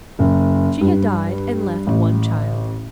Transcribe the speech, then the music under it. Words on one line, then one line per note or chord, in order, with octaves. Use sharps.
She had died and left one child.
F#1
G2
A1